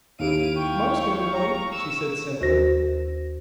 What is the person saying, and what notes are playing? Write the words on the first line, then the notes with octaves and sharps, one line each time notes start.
"Most everybody," she said simply.
D#2 E4 G4 F5 D7 D#7
G5 C#6
A#5
E6
D#2 F#4 C5 A#6